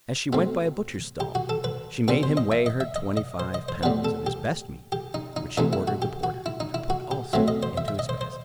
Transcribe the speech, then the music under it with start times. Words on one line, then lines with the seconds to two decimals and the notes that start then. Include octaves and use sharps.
As she went by a butcher's stall, she made him weigh her twenty five pounds of his best meat, which she ordered the porter to put also into his basket.
0.33 B2 A3 C4
1.20 G4
1.35 F#4
1.49 A4
1.64 B4
2.08 B2 G3 C4 B4
2.23 C5
2.37 D#5
2.52 E5
2.66 D#5
2.81 E5
2.96 D#5
3.17 D#5
3.40 C5
3.54 D#5
3.69 C5
3.83 A2 G3 B3 B4
4.05 A4
4.27 G4
4.92 G4
5.14 D#4
5.36 D#4
5.57 C3 E3 A3 D#4
5.73 E4
5.88 F#4
6.02 G4
6.24 F#4
6.46 E4
6.60 D#4
6.74 E4
6.90 F#4
7.11 G4
7.33 A2 F#3 A3 C4 E5
7.48 D#5
7.63 C5
7.78 E5
7.88 E5
7.99 D#5
8.09 C5
8.21 C5